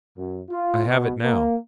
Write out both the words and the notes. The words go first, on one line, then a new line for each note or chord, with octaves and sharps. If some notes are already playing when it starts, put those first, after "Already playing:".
I have it now.
F#2
F4
B2
A#3